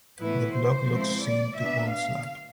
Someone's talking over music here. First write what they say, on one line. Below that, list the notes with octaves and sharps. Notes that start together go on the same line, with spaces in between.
The block looks same to Old Slab.
A2 E3 B3 E4 B4
C5
F3 G#3 C4 E4
D5
B2 B3 D4 E5
F5